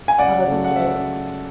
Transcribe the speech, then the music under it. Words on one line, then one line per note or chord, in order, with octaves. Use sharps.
Oh, that's true.
G#5
C#2 D5 F#5
C#3 F#3 A3
F#5
E5